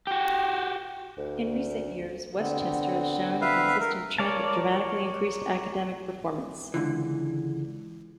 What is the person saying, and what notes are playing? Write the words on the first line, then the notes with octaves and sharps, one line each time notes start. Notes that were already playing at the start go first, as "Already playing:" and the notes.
In recent years, Westchester has shown a consistent trend of dramatically increased academic performance.
F#4 G4
D2
D3 B3 C4
B4 E5 F5
A#4
A#4 C#5 D5 F5 A5
C#2 D3 E3